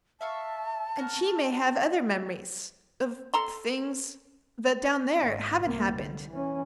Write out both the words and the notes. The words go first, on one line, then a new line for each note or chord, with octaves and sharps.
And she may have other memories--of things--that down there haven't happened.
E5 F5 A5 C#6
F#4 A#4
A4 A#5 C6
G#1
C2 A#3
D3
E3 C#4